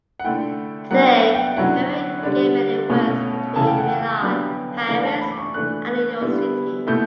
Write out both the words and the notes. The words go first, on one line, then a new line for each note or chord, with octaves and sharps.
Today Piero Gemelli works between Milan, Paris, and New York City.
F#5
D3 A3 E4 G5
F#3 B3 D4 F#5
G5
G5
D3 F#3 C#4 E4 F#5
D3 G3 D4
B2 A3 C#4 E4
C#3 E3 A3 E4 A5
G5
F#5
G5
D3 F#3 B3
E3 A3 D4
A5
B5
D6
C#6
E3 A3 D4 F#6
D3 G3 B3 E4
B2 A3 E4 G6